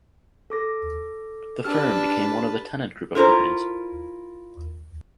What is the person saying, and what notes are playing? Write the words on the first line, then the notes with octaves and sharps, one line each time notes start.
The firm became one of the Tennant group of companies.
A4 D6 A#6
D4 G4 B4 A5 E6 F6
E4 F4 A4 A#4 C5 A#5